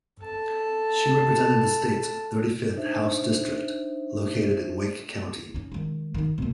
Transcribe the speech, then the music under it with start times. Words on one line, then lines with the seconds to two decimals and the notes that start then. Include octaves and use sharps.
She represented the state's thirty-fifth House district, located in Wake County.
0.22 A4 A5
2.76 D4 D#4 C5 E5
5.54 C#4 D#4
5.72 D#3 G#3
6.14 D#3 D#4
6.38 B2 A#3